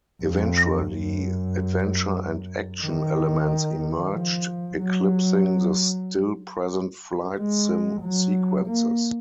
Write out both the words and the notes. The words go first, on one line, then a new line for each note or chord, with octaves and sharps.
Eventually, adventure and action elements emerged, eclipsing the still-present flight sim sequences.
F2
F#2
D#3
F3
F#3
G#3
F#3
A#3